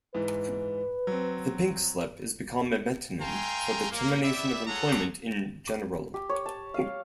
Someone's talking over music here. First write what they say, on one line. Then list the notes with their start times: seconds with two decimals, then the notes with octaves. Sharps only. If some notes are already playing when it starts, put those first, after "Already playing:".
The "pink slip" has become a metonym for the termination of employment in general.
0.15 G#2 E3 B4
1.07 F#3 C4
3.21 A3 F5 G5 G#5 A#5 C6
3.92 A#3
4.22 B3 E4 G4 D5 E5
4.67 F4 G#4 A4 C#5 F#5 A#5
6.14 G4
6.30 C#5
6.46 A5
6.74 F5